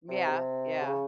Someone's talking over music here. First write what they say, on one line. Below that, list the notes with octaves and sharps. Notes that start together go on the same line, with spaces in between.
Yeah, yeah.
C3
C3
C#3